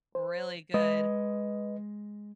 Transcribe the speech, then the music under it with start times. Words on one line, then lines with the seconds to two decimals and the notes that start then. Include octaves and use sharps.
really good.
0.15 C5
0.74 G#3 B4 D#5